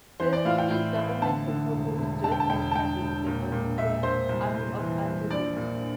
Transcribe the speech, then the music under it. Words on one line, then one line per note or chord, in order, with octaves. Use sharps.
The Soviet government had proposed joint action against the Volunteer Army of Anton Denikin.
E3 C5
D5
A2 F5
G5
A2
A1
D3 A5
D3
E1
E1
D3 A5
G5
A5
E1 G5
A5
E1 G5
E1
A#2
A#2
A#2 E5
A#2 C5
C2
C2
E3
C2
A#1 D5
A#2